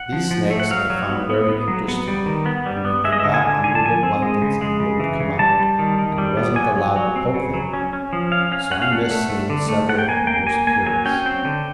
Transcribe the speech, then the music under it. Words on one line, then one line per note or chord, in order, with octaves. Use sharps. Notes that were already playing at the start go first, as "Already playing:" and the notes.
These snakes I found very interesting, only they got under their blankets and wouldn't come out, and I wasn't allowed to poke them; so I missed seeing several of the most curious.
Already playing: F#5
F3
F3
A3
F#5
F#3 F5
F#3
B3
B3
B3
F#3
B3
G3
D#3
B3
G3
B3
G#3 E5
D#5
D3 E5
G#5
D3
D3 G#5
A5
F3 G#5
C4
G#3
C#3
G#3
C#3
E3
C#3
G3 A5
G3
D#3
D#3
G3
B3
F#3 G#5
F#3
F#3
C4
C#3
F#3
C#4
C#4
F3
C#4 F5
C#4 F5
C#4 F#5
F5
A3 F#5
A3
A3
D3
A3
A3 F#5
G5
A#3 G#5
A#3 G5
A#3 G#5
A#3 G#5
F#3 G#5
C#4 G5
C4 G5
D3